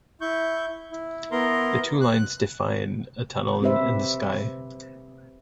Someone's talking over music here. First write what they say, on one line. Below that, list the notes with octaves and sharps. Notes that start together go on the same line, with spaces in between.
The two lines define a "tunnel in the sky".
E4 C#6 G6
E4
B3 E4 A#4 A#5 C6
F#6
C4 G4 B4 C5 E5